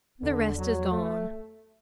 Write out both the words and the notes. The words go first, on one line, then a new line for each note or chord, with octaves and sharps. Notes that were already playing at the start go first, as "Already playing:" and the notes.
The rest is gone.
E2 D3
F#3
A3